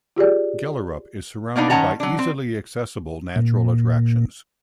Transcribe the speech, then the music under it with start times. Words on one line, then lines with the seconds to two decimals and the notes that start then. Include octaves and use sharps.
Gellerup is surrounded by easily accessible natural attractions.
0.16 F4 G4 G#4 D5
1.56 A#3 B3 D4 D#4
1.70 D#3 C#4 F#5 A5 A#5
2.00 F#3 D4
2.19 C4
3.36 A#2